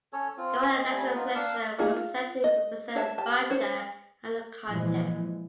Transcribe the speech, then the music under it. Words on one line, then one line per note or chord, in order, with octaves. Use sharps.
They won the national selection and were set to represent Russia at the contest.
C#4 A4 C#5
C4 F4
D#5
G3 A3 G#5 B5
B3 D#4 F4
A#3 D4 F5 E6
A3 A#3 D#4 F4 G#4
F4
D#5
D4 C#5 E5 F#5 A5
G4 A5
C#4 C5 C#5
A#2 E3 F3 G#3